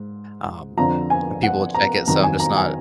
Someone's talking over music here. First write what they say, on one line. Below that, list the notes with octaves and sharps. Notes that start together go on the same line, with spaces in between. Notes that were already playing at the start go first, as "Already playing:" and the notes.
um, and people would check it, so I'm just not
Already playing: G#2
F2 D3 F3 A#5
G#5
F#5
A#5
F2 D#3 F#3 A#5
G#5
A#5
G#5